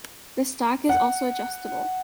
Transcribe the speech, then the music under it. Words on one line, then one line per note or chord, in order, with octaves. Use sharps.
The stock is also adjustable.
F#5